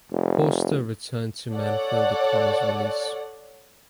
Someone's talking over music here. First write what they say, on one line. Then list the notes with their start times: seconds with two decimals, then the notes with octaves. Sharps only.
Forster returned to Manfield upon his release.
0.12 F1
1.52 A4 C#5 D5 F#5